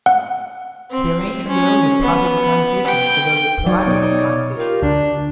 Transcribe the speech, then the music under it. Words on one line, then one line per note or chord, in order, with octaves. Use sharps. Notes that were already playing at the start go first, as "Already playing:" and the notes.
They range from those with positive connotations to those with pejorative connotations.
F#5
C4
C#4
B3
G5
F#3 D#4 C#5 D5
B2
F4 G4 A#4
D2 D4